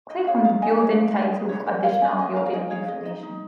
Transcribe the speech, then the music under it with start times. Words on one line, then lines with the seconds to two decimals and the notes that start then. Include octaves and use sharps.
Click on the building title for additional building information.
0.10 D#4 D#5
0.27 G#4 C#5 F5
0.44 D#4 F5 A#5
0.62 G#4 D#5 G#5
0.79 G#4 C#5 F5
0.97 D#4
1.14 D#4
1.32 G#4
1.49 C#4 C#5
1.66 A#4 D#5
1.83 A#4 C#5 F5
2.01 C#4 D#5 G#5
2.19 C#4 D#5 G#5
2.36 A#4 F5 A#5
2.46 F5
2.53 D#4 D#5 G#5
2.71 G#4 C#5 F5
2.88 G#4 D#5
3.06 D#4 D#5
3.23 D#4